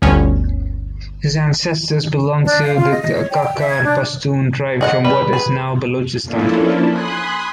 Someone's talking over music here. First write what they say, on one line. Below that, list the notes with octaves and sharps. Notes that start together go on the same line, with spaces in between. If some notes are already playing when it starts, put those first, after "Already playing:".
His ancestors belonged to the Kakar Pashtun tribe from what is now Balochistan.
G1 D2 C#4
D4
F5
F4
D#5
D#5
C#5
G5
G5
E5
G#6
D4
G#4 D#5 F#5
G3 B4
G#4
F3 A#3 C#4 D4 E4 A4
G#5 B5 C6 D#6 F#6